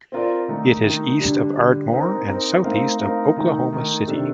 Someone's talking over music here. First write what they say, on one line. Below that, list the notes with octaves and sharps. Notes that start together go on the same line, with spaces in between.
It is east of Ardmore and southeast of Oklahoma City.
C4 F4 A#4 D5
D#3 A3 D#4
D#3 A3 D#4
D3 G3 D4
D3 G3 D4
C4 D#4 A#4
C4 D#4 A#4
A3 C4 D#4 A#4 F5
A3 C4 D#4 A#4 F5
D#3 A3 D#4
D#3 A3 D#4
C3 D#3 G3 D4 A4